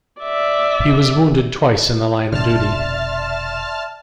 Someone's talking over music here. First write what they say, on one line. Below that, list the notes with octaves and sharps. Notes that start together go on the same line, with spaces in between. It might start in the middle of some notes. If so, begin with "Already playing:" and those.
He was wounded twice in the line of duty.
D5 E5
F1 B2 D3 D5 E5 A5 C6 F6